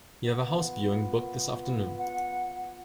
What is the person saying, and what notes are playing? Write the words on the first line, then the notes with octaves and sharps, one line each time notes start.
You have a house viewing booked this afternoon.
B3 F4
F#5